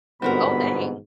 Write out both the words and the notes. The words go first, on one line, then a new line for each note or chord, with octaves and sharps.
Oh, dang!
G1 G#2 B2 B3 C4 F#4 A#4 B5